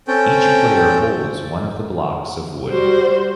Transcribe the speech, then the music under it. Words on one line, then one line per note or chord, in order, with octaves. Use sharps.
Each player holds one of the blocks of wood.
C4 C#4 A4 G5
G3 F#4 C5